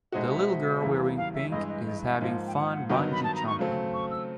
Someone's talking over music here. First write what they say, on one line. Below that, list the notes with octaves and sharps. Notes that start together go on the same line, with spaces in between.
The little girl wearing pink is having fun bungee jumping.
B2 G#3 C4 D#4 F#4 E5
D#5
E5
E2 C#3 E3 G3 A#3
F5
E5
G2 E3 G#3 D#5
D#5
D#5
E5
G#2 F3 A#3 D#5
G5
F#5
F#5
G2 D#3 F#3 B3 D#4 G5
B5
A5
A#5
C#6
C#3 F#3 A3 C4
C#6
E6